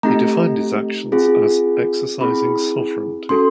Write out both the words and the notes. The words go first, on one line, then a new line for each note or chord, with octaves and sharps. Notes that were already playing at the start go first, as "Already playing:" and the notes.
He defined his actions as "exercising sovereignty".
A3 C4 D#4 G4 A#5
C4 F4 G#4
C4 E4 G#4 B5
C#4 F#4 A4 C6